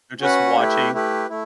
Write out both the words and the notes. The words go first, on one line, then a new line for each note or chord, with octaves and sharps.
They're just watching
C#4 F#4 B4 F#5
A3 E4 G4 B4
A3 E4 G4 B4
A3 E4